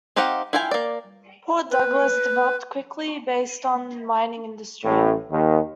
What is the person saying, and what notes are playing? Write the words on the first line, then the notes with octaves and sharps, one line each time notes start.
Port Douglas developed quickly based on the mining industry.
C4 D#4 G4 F5 F#5
E4 F4 F5 G5 G#5
A#3 D5
B4
A1 A2
D#2 D#3